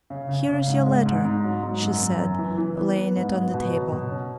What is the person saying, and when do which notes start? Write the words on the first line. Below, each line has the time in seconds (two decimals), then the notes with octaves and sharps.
"Here is your letter," she said, laying it on the table.
0.10 C#3
0.29 C#3
0.49 C#3
0.67 G#2
0.86 G#3
1.06 G#2
1.25 G#2
1.44 F#3
1.63 G#2
1.82 F#2
2.01 F#2
2.21 F#2
2.39 E3
2.58 E3
2.78 B3
2.96 B3
3.16 G#2
3.35 B3
3.54 B2
3.72 F#3
3.92 B2
4.11 C#4